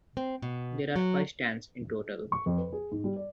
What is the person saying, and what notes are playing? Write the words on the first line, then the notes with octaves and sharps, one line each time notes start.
There are five stands in total.
C4
B2
F#3
C#6
F2
B4
G#4
G#2
G3
D5